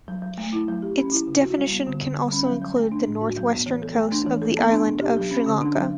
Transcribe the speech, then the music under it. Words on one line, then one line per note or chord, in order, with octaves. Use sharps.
Its definition can also include the northwestern coast of the island of Sri Lanka.
F#3
F#3
A3
E4
F#3
G4
C#4
E4
C#3
F#4
G3
B3
D3
D3
G3
C#4
F#3
F#3
A3
D4
A2
F#4
F#3
B3
E3
A4
A3
D4
E3
A4
B3
D4
B2
G4
F#3
C#4
D3
D4
F#3